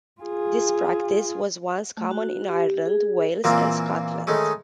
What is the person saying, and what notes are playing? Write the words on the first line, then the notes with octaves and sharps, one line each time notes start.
This practice was once common in Ireland, Wales, and Scotland.
F4 G#4
A3
F#4
G4
G#4
A#2 E3 A#3 C4 F4
D#3 G#3 A3 C#4